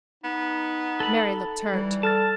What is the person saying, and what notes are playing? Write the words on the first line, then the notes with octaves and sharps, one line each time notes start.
Mary looked hurt.
B3 D#4
A4 B5
E3 G3
A4 A5 F6 A6